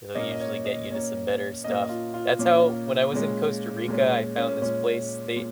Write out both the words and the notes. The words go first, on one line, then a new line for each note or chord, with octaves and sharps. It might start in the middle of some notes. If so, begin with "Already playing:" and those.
They'll usually get you to some better stuff. That's how when I was in Costa Rica, I found this place, they
A#2 A#3 C#4 D#5
D#5
C#5
D#5
A#2 A#3 C#4 C#5
A#2 A#3 C#4 D#5
F4
F4
A#2 A#3 C#4
A#2 G#3 C#4
A#2 G#3 C#4
C#4
A#2 G#3 C#4
A#2